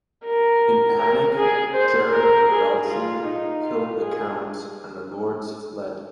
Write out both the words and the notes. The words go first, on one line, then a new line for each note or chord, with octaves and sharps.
In panic Gerard of Velzen killed the count, and the lords fled.
A#4
A#4
G#4
C5
A#4
G#4
F4
D#4
F4
G#4